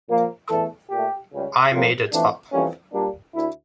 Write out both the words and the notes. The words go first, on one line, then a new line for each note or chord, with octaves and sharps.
I made it up.
A#2 F3 A#3
E2 E3 A3 A4
A#2 A3 G4
C#2 C#3 G3
A2 F3 A#3 F4
F2 E3 A3 D4
F2 E3 G3 A#3 C#4
A#2 G3 A#3 D4
D2 E4